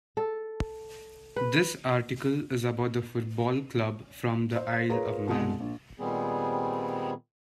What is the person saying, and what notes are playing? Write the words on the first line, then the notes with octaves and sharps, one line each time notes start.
This article is about the football club from the Isle of Man.
A4
B4
C5
F4 G#4 A#4 B4 C#5 A#5
C2 B2 G#3 D#6
A#1
A#2 D#3 G3 B3 C4 G#4